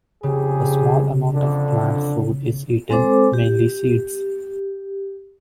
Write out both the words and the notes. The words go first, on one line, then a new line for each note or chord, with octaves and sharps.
A small amount of plant food is eaten, mainly seeds.
F2 C#3 G4 G#4
F2 D3 D4
G#3 C4 A4 C5 D6
G4